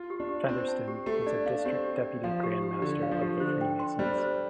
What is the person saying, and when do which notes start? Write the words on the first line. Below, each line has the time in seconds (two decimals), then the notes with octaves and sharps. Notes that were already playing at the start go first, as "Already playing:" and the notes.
Featherston was a District Deputy Grand Master of the Freemasons.
Already playing: F4
0.10 G4
0.20 D4
0.29 G4
0.49 C4 C5
0.68 A5
0.88 G4
1.06 A3 G4
1.26 D4 D5
1.46 D4 F5
1.65 C4 G4
1.85 G4
2.05 D5
2.24 F3 F5
2.43 G4
2.63 G4
2.82 D3 D5
3.02 F5
3.11 F3
3.21 G4
3.40 D3 C5
3.61 G5
3.80 C6
3.99 G3 C5
4.18 C5